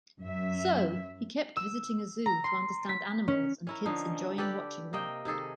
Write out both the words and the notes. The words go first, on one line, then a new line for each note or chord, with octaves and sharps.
So, he kept visiting a zoo to understand animals and kids enjoying watching them.
F#2 E5
E6
A#5
C6
B6
C#4
C#4 E4 A#4
D3 F3 C#4 D#4
G4 A4 B4 D5
C3 A#3 D#5 G5
C3 D#3 G#4 A4